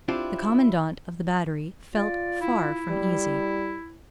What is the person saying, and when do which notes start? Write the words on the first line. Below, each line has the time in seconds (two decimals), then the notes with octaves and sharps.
The commandant of the battery felt far from easy.
0.08 C4 D4 E4 F4 G4
1.95 F4 D5
2.41 E4
2.89 G3